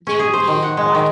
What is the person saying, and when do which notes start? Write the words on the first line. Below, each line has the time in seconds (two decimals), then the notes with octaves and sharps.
there would be, like,
0.07 C#4
0.19 G#4
0.33 C5
0.48 D#3
0.63 F#5
0.77 G#3
0.95 D#3